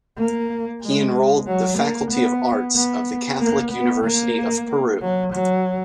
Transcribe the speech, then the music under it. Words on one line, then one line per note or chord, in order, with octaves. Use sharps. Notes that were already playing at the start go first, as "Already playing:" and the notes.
He enrolled the Faculty of Arts of the Catholic University of Peru.
A#3
G#3
F#3
A#3
B3
B3
A#3
B3
A#3
F#3
F#3